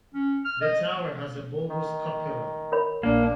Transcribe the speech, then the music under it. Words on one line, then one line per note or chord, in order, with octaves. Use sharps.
The tower has a bulbous cupola.
C#4
F6
D#5
D#3
A#4 C#5 B5
A#1 A#3 D4